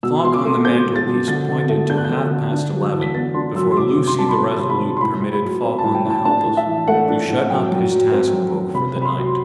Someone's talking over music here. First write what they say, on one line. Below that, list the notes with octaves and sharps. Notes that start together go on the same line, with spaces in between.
The clock on the mantel-piece pointed to half-past eleven before Lucy the resolute permitted Falkland the helpless to shut up his task-book for the night.
B2 E6
B2 C6
D6
A3
C4 G6
B2
A6
B2
D3 A6
D3
A6
A3
D4 G6
F#6
G6
D3
D3
D4
F#2
E3
B6
B3 A6
D4 C6
F#2 E6
C6
C3 D6
C3
C6
G3 A5
B5
C4 C6
C3
B5
C3
C6
A2 B5
A2
B5
F#3
C4
A5
A2
G5
A2
A5
D4 A5
A2
E5
E3
A3 F#5
D4
A2
F#2 G5
F#2
F#3
C4
F#2
F#2
C3 B5
C3
B5
C6
F#3